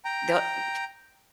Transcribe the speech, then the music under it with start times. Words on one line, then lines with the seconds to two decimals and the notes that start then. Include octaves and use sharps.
the e
0.05 G5 A#5